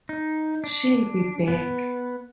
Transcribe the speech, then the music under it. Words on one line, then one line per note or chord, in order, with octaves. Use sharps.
She'll be back.
D#4
D4
B3